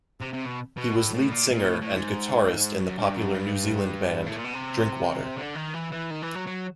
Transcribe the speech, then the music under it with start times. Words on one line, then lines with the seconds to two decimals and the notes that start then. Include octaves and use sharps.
He was lead singer and guitarist in the popular New Zealand band Drinkwater.
0.22 C3
0.34 C3
0.46 B2
0.77 B2
0.96 A2
1.14 A2
1.32 A#2
1.51 A#2
1.69 A2
1.81 A2
1.93 G#2
2.80 F#2
2.98 G2
3.16 F#2
3.35 G2
4.26 A2
4.36 A#2
4.45 B2
4.54 C3
5.37 D3
5.55 D#3
5.73 E3
5.92 E3
6.10 D#3
6.22 E3
6.35 F#3
6.47 F#3